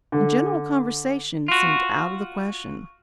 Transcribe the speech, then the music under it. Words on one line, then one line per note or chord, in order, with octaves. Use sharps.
And general conversation seemed out of the question.
D3
F4 F#4